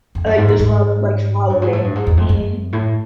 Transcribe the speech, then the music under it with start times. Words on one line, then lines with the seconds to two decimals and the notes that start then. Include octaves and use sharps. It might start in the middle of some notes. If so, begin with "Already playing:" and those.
like, there's lot of, like, following. Mhm.
0.15 F2
0.26 F#2
0.38 G#2
0.48 A2
0.60 G#2
1.50 G2
1.62 G#2
1.73 A2
1.84 G2
1.95 G#2
2.07 E2
2.17 F2
2.29 F#2
2.73 A2